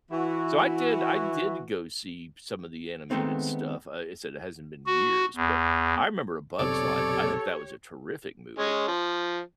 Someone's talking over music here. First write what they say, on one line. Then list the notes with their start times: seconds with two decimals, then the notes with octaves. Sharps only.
so, I did I did go see some of the animated stuff, uh, I said it hasn't been years, but I remember A Bug's Life, I thought that was a terrific movie,
0.11 E3 E4 F#4
3.10 D#3 G#3 A3 B3 C4 D#4
4.86 F#4
5.36 E2
6.59 F#1 B1 C3 G4 A4 C#5 D5
8.59 G#3 C#4
8.88 F3